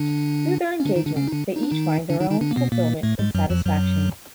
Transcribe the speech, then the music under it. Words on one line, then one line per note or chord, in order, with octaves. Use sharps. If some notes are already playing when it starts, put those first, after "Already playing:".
Through their engagement, they each find their own fulfillment and satisfaction.
Already playing: D3 D4
C#4
D3 D4
D#3 D#4
D3 D4
C#3 C#4
D#4
D3 D4
D#4
D4
D#3 D#4
D3 D4
D#3 D#4
D#3 D#4
D3 D4
A#3
B2 B3
A#2 A#3
A2 A3
G#2 G#3
F#2 F#3
F2 F3
F#2 F#3